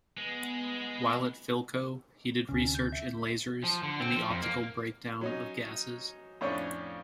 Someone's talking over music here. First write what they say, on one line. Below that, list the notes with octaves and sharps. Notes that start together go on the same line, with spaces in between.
While at Philco, he did research in lasers and the optical breakdown of gases.
G#3 B3
D2 C3 C#4
G6
E5
F3
D3
C4
F3
F2
A#3
F#3 C#4 D#4
F2 A2 C#4 D4 C#5